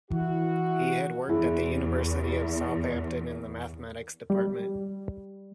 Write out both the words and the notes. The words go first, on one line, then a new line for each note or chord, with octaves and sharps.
He had worked at the University of Southampton in the Mathematics Department.
E3 E4 F#4
E2 E4 G#4
G3